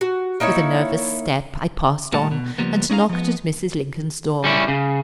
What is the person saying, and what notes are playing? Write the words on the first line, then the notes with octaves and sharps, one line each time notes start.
With a nervous step I passed on, and knocked at Mrs. Lincoln's door.
F#4
A#3 D#4 E4 C#5
A#2 G3 A3 F#5 A5
B2
C#2 B2 F3 G3 A#3 B3
C#4 D#4 E4 G#4 F5 A#5
F3 B3
G3 C#4 E4
C#3